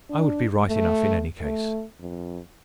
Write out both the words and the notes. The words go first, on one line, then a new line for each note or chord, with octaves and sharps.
I would be right enough in any case . . .
D4
A3
A3
F2